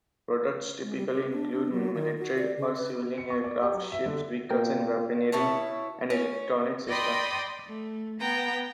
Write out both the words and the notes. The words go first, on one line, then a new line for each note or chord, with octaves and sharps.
Products typically include military or civilian aircraft, ships, vehicles, weaponry, "and" electronic systems.
G#3
G3
G4
D4
D4
F#3
D#3
F#4
D5
C#3
B4
C#7
C#6
D5
G4
F#3
E5
D3
A#2 A#3 A#4 G5
B2 E4 C#5 A5
C#4
D5 D#5 G5 B5 C6 D#6
A3
B3 G5 A#5